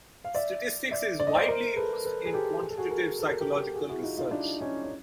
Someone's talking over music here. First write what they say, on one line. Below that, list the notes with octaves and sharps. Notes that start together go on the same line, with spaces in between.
Statistics is widely used in quantitative psychological research.
F5
D5 E5
D5 E5
D5
D#5
C5 D5
A#4 C5
A4 B4
A4 B4
G#4
G4 A4
G#4
A4
F#4 G#4
G#4 A#4
A4
A#4
G4 A4
F#4 G#4
E4 F#4
D#4 F4
D#4 F4
D4 E4
C#4 D#4
C#4